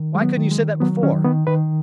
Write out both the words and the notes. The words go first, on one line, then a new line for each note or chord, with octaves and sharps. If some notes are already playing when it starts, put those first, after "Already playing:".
Why couldn't you said that before?
Already playing: D#3
F#3 G#3
B3
D#3
G#3
D#3
F#3 B3
D#3 C#4
D#3 B3
D#3 B4